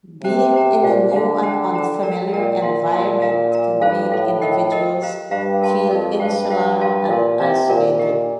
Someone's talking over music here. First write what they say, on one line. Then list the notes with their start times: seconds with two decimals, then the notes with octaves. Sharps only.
Being in a new and unfamiliar environment can make individuals feel insular and isolated.
0.24 C3 C5 G5 A#5
0.54 C5 G5 A#5
0.83 A#2 G4 C5 F5
1.13 D3 G4 C5 F5
1.43 A4 C5 G5 A#5
1.73 A4 C5 G5 A#5
2.03 A#4 D5 G5 A#5
2.33 A#2 A#4 D5 G5 A#5
2.62 A#2 A#4 F5 C6
2.92 A#2 A#4 F5 C6
3.22 A#4 F5 A#5
3.52 A#4 F5 A#5
3.81 G2 F4 A4 C5 F5
4.12 A2 F4 A4 C5 F5
4.41 A2 A#4 D#5 G5
4.72 A#4 D#5 G5
5.02 G4 C5 F5 A#5
5.31 G2 G4 C5 F5 A#5
5.61 A#4 F5 A5 C6
5.91 F2 A#4 F5 A5 C6
6.20 G2 G4 C5 F5 A5
6.50 G4 C5 F5 A5
6.80 F4 A#4 F5 A5 C6
7.10 A#2 F4 A#4 F5 A5 C6
7.40 C3 F4 A#4 D5 F5 A#5
7.69 A#2 F4 A#4 D5 F5 A#5
7.99 G4 A#4 D#5 A#5